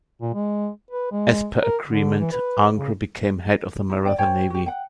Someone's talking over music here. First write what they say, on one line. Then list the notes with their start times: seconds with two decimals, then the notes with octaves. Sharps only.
As per agreement, Angre became head of the Maratha Navy.
0.21 A#2
0.34 G#3
0.90 B4
1.12 G#3
1.63 A#4
1.86 D3
2.20 E3
2.32 B4
2.76 C#3
3.90 D#4
4.05 D5 G5
4.18 C5 C#5 G5 G#5
4.50 F#4 G4
4.66 F#5 G5